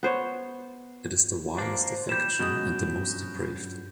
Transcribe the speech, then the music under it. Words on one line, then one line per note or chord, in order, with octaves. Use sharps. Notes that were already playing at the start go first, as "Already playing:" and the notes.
It is the vilest affection, and the most depraved.
B3 C5 C#5
A#3 D4 C5
D#2 G3 G6 E7
F#2 B2 G#3 D#6
G2